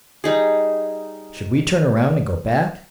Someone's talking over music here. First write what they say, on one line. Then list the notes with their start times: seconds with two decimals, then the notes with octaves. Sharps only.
Should we turn around and go back?
0.24 G3 D#4 G#4